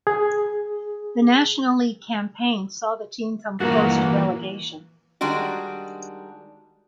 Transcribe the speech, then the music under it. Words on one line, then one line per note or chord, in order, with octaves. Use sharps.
The National League campaign saw the team come close to relegation.
G#4
G2 A#2 E3 A#3 F#4
D#3 G3 G#3 D4 F#4